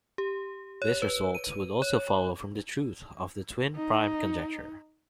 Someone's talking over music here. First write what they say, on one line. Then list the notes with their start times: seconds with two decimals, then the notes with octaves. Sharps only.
This result would also follow from the truth of the twin prime conjecture.
0.18 G4
0.82 C#5
1.02 B4
1.35 D#7
1.82 C#5
3.75 D#4